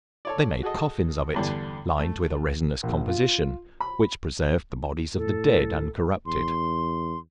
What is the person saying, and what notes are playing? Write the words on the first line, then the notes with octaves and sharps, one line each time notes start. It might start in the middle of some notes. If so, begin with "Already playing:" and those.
They made coffins of it, lined with a resinous composition, which preserved the bodies of the dead uncorrupted.
A4 C#5 D5
F#4 G#4 A4 D#5
E2 G2 D3
A3
A#1
F4
B5
A2 A4
E2 C6